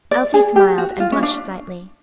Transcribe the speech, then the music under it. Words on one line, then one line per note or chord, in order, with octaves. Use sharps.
Elsie smiled, and blushed slightly.
D5
G#4
G4
F#4
F4
C#4
D4